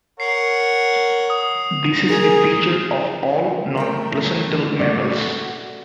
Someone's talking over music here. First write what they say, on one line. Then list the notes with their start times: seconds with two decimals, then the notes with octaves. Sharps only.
This is a feature of all non-placental mammals.
0.20 A#4 C#5 F#5 C7
1.30 D#6
2.08 G#4 A#4
3.77 A3 A#4 G5
4.79 A3 F#4 D5